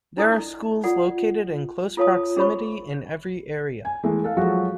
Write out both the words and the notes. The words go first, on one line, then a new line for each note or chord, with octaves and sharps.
There are schools located in close proximity in every area.
D4 E4 A4 D5 D#5
F4 A4 D5 F#5
F4 A4 C#5 F5 A5 D#6
C#4 G#4 C5 C#5 B5 C#6
G#5
E3 G#3 A3
A4 F5
F3 F#3 G#3 F#4